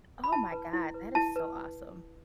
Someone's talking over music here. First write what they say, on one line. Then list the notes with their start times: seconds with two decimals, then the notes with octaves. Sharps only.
Oh my God, that is so awesome.
0.24 B5
0.32 E4 A5
0.52 B4
0.73 E4
0.94 B4
1.15 E4 A5
1.36 B4